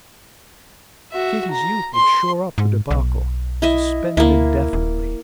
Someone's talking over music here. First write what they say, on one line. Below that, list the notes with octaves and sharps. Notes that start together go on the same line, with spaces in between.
Kitty's youth would shore up the debacle, suspend it indefinitely.
F#4 E5
A#5
C6
G#2
B1
E4 D#5 E5
D2 A#3 E4
D#1